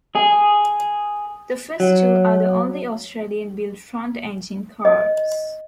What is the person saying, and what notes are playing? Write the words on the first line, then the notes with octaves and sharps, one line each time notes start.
The first two are the only Australian-built front engine cars.
G#4
F#3
D#5